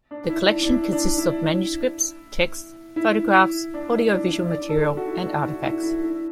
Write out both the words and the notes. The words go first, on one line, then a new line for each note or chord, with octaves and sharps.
The collection consists of manuscripts, texts, photographs, audio-visual material and artifacts.
D4
E4
D4
D4
E4
D4
E4
E4
D4
E4
D4
E4
D5
A4
F#4
E4
D4
E4
E4
E4
E4